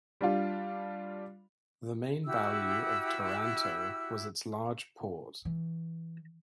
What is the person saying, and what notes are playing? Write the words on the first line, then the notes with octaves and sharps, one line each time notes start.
The main value of Taranto was its large port.
G3 D4 F4
E4 F#4 G4 E6
E3